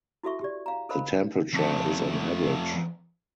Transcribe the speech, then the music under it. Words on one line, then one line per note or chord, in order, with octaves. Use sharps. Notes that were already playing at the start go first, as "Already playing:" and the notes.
The temperature is on average.
E4 F#4 A4 E5 C#6
G4 D5
F5 A#5
A4 A#4 C5 D#5 F5 B5
F2 A3